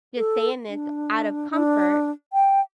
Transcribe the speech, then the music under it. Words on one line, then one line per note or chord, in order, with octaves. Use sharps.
just stay in this out of comfort,
A4
D4
D4
G5